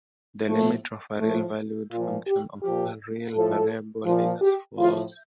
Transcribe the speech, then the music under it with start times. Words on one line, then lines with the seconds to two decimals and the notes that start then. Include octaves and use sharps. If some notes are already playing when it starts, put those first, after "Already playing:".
The limit of a real-valued function of a real variable is as follows.
0.47 A2 F3 A3
1.18 A2 F3 A3
1.91 A#2 F3 F4
2.27 G4
2.62 A#2 F3 G4
3.34 A2 F3 A4
4.05 A#2 F3
4.42 G4
4.77 A2 F3 F4